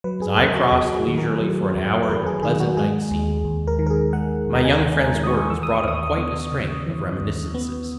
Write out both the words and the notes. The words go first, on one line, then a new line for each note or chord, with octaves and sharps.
As I cross'd leisurely for an hour in the pleasant night-scene, my young friend's words brought up quite a string of reminiscences.
F#3 B4
G#4
E2 A#4
F#4
E2 G#4
F#4
G#4
D#3
A#4
F#3
E2
B4
E2 A#4
G#4
D#3 G#4
F#4
G#3 G#4
D#2
D#2
A#4
D#3
A#4
G#4
G#3 F#5
D#2
A#5
G#5
D#2 F#5
G#5
D#3
D#6
C#6
E3 E6
D#6
C#6
D#2 D#6
B3
C#3
E3
D#2
B3